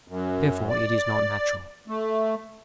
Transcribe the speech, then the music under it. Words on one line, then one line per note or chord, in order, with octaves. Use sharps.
Therefore it is not natural.
F#2
D5
A3